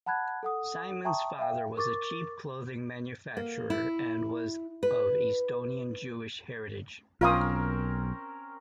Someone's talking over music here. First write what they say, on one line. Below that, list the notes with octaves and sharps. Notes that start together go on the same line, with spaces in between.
Simon's father was a cheap clothing manufacturer and was of Estonian Jewish heritage.
F#5 A5 B5 F#6 G#6
A4 F#5 D#6
E5 G5 A5 A#5 C#6 D#6
E5 F5 G5
A#4 C#6 D6 A6
A#3
E4
B4
B1 C4 C#4 F4 A#4 F5 D#6